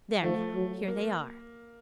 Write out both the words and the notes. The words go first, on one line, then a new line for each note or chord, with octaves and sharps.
There now, here they are.
F3 A3
F#3
A#3